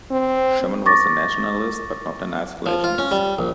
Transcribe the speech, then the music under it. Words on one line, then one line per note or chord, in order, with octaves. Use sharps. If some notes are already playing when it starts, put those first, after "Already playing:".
Sherman was a nationalist, but not an isolationist.
C4
C#6 D6 A6 A#6
F3
F4
C#4
G3
A#1